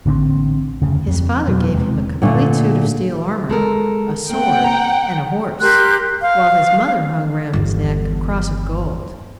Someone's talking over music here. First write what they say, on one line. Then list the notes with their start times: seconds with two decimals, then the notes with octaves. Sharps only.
His father gave him a complete suit of steel armour, a sword, and a horse, while his mother hung round his neck a cross of gold.
0.06 A1 D3 B3 C4
0.82 F1 D2 C#3
1.07 F2
1.48 B2 F#3
1.73 E1 C3 G#3
2.22 A#2 D3 A3 D4
3.50 G#3 A4 A#4
4.30 A#3 C4 F#5 G5
4.64 A#5
5.61 G4 A#4 C6 F#6
6.21 F5
7.53 G1 E2